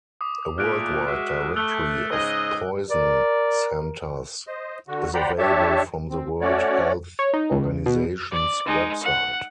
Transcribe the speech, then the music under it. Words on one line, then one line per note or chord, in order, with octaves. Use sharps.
A worldwide directory of poison centers is available from the World Health Organization's website.
D6 D#6
A#2 A3 F6 F#6 D7
G#3 F#4 E5
A3 E6 F#6 G7
G#2 C#3 D#5
A#4 D5
C5 D#5
D3 F#4
C5 D5 F#5 G5 A#5 B5
D4 G4 C#5 E5 A5
C4
A3 C#4 F#4 C#5 D5
C#5
D#4
C#2
B2
D5
G#3 D#4
F#5